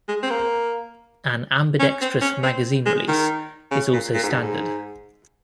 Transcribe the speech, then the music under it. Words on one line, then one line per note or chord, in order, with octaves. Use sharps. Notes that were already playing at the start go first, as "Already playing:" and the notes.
An ambidextrous magazine release is also standard.
G#3
C4
A#3
C#4
C4
C#4
C4
G#3
D#3
C#3
A#2
A#2
G#2
G2
G#2